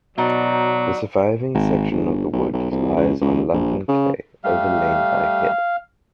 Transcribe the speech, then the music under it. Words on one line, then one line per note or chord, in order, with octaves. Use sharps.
The surviving section of the wood lies on London Clay overlain by head.
B2 F#3 D#4 D5 A5
G#1
G1
B1
B1
C2
C#2
C#2
A#1
C#3
G3 A3 F5